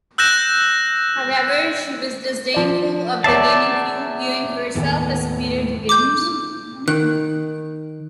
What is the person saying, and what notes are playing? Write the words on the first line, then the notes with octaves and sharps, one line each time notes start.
However, she was disdainful of the gaming field, viewing herself as superior to gamers.
E6 F#6 G6 A#6 E7
F3 D5
E2 C#5 D5 E5 A5 C7
D#2 A2 B3 A4 F#5 G#5
D6 G6
D#3 F#6